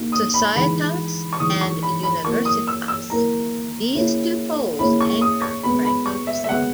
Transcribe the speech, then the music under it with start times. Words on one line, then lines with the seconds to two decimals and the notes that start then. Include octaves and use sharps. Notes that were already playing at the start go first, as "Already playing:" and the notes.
"Societas" and "universitas": These two poles anchor Franco's thought.
Already playing: A#3 D#4 F#4
0.12 D#6
0.34 B5
0.55 E3 G#3 D#4 B5
1.33 C#6
1.39 E3 G#3 D#4 D#6
1.61 C#6
1.83 B5
2.03 B5
2.25 F#3 A#3 E4 A#4 C#6
2.45 D#6
2.67 E6
2.88 E6
3.09 F#3 A#3 E4 A#4 A#5
3.94 A#3 C#4 E4 G#4
4.79 A#3 C#4 E4 G#4 B5
5.01 C#6
5.21 D#6
5.42 C#6
5.63 G#3 B3 F#4 B5
5.85 B5
6.06 C#6
6.27 E5
6.44 E5
6.48 G#3 B3 F#4 F#5